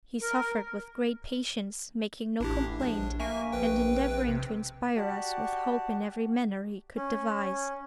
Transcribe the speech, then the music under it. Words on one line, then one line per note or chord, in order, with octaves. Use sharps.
He suffered with great patience, making no complaint, and endeavouring to inspire us with hope in every manner he could devise.
A#4
A1 D4 E4 G4
A#1 D4
A#3 E5 G#5 C#6
A#1 B4 G5
C3
F#4 G4 D5 F#5 A5
C#4